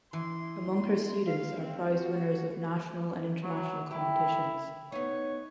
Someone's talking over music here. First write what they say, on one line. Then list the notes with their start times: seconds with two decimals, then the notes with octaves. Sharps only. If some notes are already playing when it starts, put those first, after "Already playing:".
Among her students are prize winners of national and international competitions.
0.13 E3 C6
1.27 F5
1.61 C4
1.95 F#4
3.43 F#3
3.91 E4 G4
4.92 B3 D#4 C#5